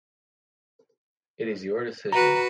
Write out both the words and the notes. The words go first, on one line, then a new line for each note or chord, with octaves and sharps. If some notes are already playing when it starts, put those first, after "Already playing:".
It is your decision.
F#4 B4 A#5